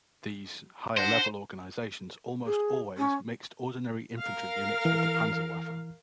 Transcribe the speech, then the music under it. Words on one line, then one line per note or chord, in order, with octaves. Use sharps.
These higher-level organizations almost always mixed ordinary infantry units with the "Panzerwaffe".
D4 C5 F#5 A#6
G#4
C#4
A#4 F5
E3